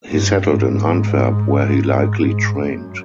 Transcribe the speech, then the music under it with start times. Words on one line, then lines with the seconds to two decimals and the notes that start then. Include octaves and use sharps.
He settled in Antwerp where he likely trained.
0.09 G2
0.45 G#2
1.89 G#2
2.26 G#2
2.61 F#2